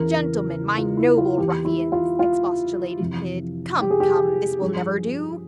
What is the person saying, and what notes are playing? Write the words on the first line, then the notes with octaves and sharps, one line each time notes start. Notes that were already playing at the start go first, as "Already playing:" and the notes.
Gentlemen--my noble ruffians!" expostulated Kidd. "Come, come; this will never do!
Already playing: E2 C#3 E3 A#4
F4
E4
F4
E2 E3 G4
E4
F4
F4
F2 C3 E3
G4
G#4
G4
G2 F3 G#4